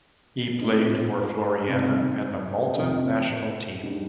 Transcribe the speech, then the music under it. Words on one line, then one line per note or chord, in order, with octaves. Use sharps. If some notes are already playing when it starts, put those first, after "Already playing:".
He played for Floriana and the Malta national team.
A#2 G#3 C4 D#4
C3 G3 C4 D#4
F2 C3 F3 C4
G#2 G3 D4